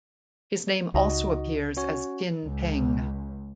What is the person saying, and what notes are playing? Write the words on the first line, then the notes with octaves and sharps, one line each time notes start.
His name also appears as Tin Peng.
C#2 D#4 F#4 D#5
C#4 F#4 C#5
C#2